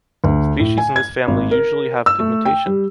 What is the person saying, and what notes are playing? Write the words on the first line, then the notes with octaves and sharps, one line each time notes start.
Species in this family usually have pigmentation.
D2
A2
G#5
G#6
G#1
A#4
E6
A3
G5
G3